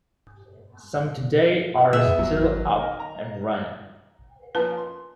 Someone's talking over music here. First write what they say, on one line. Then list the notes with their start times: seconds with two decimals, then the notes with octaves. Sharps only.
Some today are still up and running.
1.93 A#2 B3 G#4 E5
2.06 E2
2.19 F#1 F#3
2.38 G#1
2.77 D#3 A#4
3.00 A#5
4.55 F3 A#3 C#4 B4 A5
4.78 C6